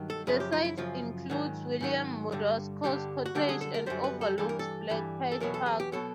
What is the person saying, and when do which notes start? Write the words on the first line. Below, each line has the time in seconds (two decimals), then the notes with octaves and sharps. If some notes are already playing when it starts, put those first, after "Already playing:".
The site includes William Murdoch's cottage and overlooks Black Patch Park.
Already playing: G2 D#3 F#3
0.10 A4
0.27 F#2 C#3 F3 G#4
0.40 G4
0.52 F4
0.65 E4
0.77 F#2 C#3 F3 F4
1.30 G#2 D#3 F#3
1.81 G#2 D#3 F#3
2.32 G2 D3 G3
2.84 G2 D3 G3 G4
3.26 F#4
3.35 F#2 D3 G3 G4
3.49 G#4
3.61 A4
3.74 A#4
3.86 F#2 D3 G3 C5
4.04 B4
4.21 A4
4.38 G2 E3 G3 A4
4.49 A#4
4.59 A4
4.89 G2 E3 G3
5.32 A4
5.40 E2 B2 F#3 A#4
5.54 A4
5.66 G#4
5.80 G4
5.92 B2 F#3 A4